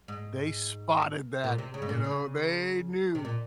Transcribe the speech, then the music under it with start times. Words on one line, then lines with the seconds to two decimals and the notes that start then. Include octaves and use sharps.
they spotted that, you know, they knew.
0.08 G#2
1.44 A#2
1.58 C3
1.74 C#3
1.82 G#2
1.89 A#2
2.04 C#3
3.15 C3
3.25 A#2